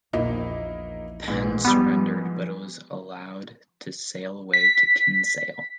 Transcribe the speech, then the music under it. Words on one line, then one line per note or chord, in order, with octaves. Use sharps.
Penn surrendered but was allowed to sail away to Kinsale.
A#1 E2 A#3 D#4 E4
A#1 G#2 E3
F3 G3 B3
B6